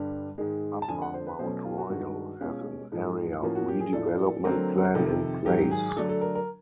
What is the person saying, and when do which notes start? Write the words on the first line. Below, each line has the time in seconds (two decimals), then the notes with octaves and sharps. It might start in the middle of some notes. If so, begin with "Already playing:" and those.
Upper Mount Royal has an area redevelopment plan in place.
Already playing: G2 D3 G3
0.38 G#2 D#3 G#3
0.82 A5
0.88 F2 D3 F3 G#5
1.02 F#5
1.14 C5
1.27 B4
1.39 B2 F#3 A3 C#4 C5
1.65 F4
1.78 F#4
1.90 G2 D#3 G#3 F#4
2.41 B2 G#3 C#4 F4
2.92 G#2 F3 G#3
3.42 A2 F3 A#3 C#4 F#4
3.55 F#4
3.68 G4
3.80 G#4
3.93 A2 F3 A3 D4 A4
4.44 D3 F#3 A3 C4 A#4
4.95 F2 C3 D#3 A4
5.46 G#2 D#3 F#3 G4
5.71 G#4
5.96 D3 F#3 A3 D4 A4
6.09 A4
6.21 A#4
6.35 A#4